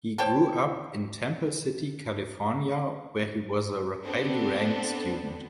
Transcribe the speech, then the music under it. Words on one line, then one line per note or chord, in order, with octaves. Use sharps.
He grew up in Temple City, California, where he was a highly ranked student.
C5 C#5 G5 A5
B3 C4 D4 A4